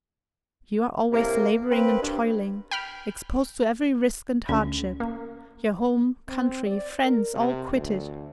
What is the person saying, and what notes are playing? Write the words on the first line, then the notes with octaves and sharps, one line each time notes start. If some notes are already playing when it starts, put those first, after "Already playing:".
You are always labouring and toiling, exposed to every risk and hardship. Your home, country, friends, all quitted.
A2 C3 A#3
A#3 C4 B4
G2
G5 B5 F6
D2 C#4
A#3
C4
D5
A#4
C3
D2